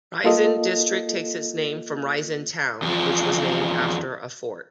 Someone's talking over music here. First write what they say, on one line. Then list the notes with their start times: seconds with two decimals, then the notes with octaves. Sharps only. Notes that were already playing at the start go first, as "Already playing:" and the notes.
Raisen District takes its name from Raisen town, which is named after a fort.
0.24 A#3 F4 A4 D#5
2.82 E2 F3